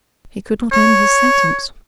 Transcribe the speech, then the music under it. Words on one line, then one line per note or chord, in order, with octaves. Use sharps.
He could not end his sentence.
C#5